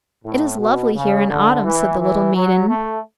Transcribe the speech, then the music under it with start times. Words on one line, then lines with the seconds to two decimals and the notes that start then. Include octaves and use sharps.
"It is lovely here in autumn!" said the little maiden.
0.24 A2
0.59 B2
0.94 C#3
1.29 D3
1.64 E3
1.99 E3
2.34 F#3
2.68 A3